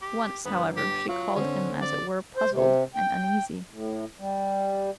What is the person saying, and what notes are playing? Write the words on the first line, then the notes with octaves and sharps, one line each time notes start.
Once, however, she called him, as it were, puzzled and uneasy.
G4
G1 B3
G4
F#3 F4
D3 C4 C#4
D5
C5
C3
G5
A2
G3